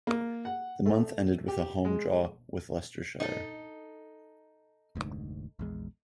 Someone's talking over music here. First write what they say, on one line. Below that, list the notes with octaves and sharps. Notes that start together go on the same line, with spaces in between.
The month ended with a home draw with Leicestershire.
A#3
F#5
A3
G4
G#3
D#4 A4
F1 D2 G#2
A#1 E2 G#3